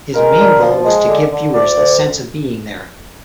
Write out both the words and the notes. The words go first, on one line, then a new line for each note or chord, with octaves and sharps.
His main goal was to give viewers the sense of being there.
G#3 A#4
D3
F3
G#3
D3
D3
D2 D5
D2